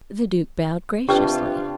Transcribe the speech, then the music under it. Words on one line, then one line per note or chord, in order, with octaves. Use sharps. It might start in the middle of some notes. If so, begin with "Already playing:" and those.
The Duke bowed graciously.
C3 D4 F4 G4 B4 G5